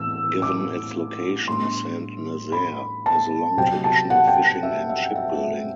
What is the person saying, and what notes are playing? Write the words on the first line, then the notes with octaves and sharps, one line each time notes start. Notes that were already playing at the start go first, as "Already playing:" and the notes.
Given its location, Saint-Nazaire has a long tradition of fishing and shipbuilding.
Already playing: A2 E3 A3 C4 E6
D6
A2 G3 B3 D4 C6
B5
A5
C3 F#3 C4 G5
A5
F#5
G5
E5
E5
E5
E5